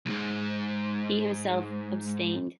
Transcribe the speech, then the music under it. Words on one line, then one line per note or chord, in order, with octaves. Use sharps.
He himself abstained.
B1 G#2